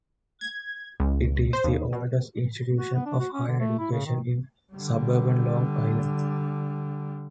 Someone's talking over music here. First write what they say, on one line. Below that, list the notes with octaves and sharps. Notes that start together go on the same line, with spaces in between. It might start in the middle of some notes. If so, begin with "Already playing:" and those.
It is the oldest institution of higher education in suburban Long Island.
G#6
C#2
C5
D#2
B2
F#4
B3
D4
F#4
C#4
D3
A3
E4
C#3
D#3
D3 G3